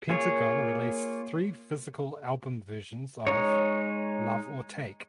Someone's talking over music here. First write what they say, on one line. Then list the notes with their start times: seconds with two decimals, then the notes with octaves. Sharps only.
Pentagon released three physical album versions of "Love or Take".
0.09 A#3 F4 G#4 C#5
3.27 G#3 D#4 C#5